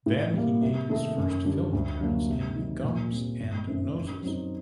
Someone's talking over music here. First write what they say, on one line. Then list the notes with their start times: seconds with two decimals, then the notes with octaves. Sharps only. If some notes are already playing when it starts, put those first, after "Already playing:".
Then he made his first film appearance in "Gums and Noses".
0.06 A2
0.34 G3 A#3
0.62 C3
0.89 D#3 A3 D#4 A4
1.17 F#2
1.45 D3 G3 D4
1.73 D2
2.01 D3 F#3 A#3 D4
2.29 C3
2.56 D#3 F#3
2.84 A#2
3.12 G3 C4
3.40 G1
3.67 F#2 D#3 A3 C4
3.95 F#2
4.22 F#3 C4 D#4